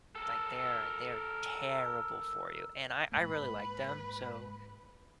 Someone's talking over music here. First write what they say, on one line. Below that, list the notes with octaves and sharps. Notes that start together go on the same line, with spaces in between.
Like, they're they're terrible for you, and I I really like them, so,
A4 A#4
G#2 G#3 A#3 B4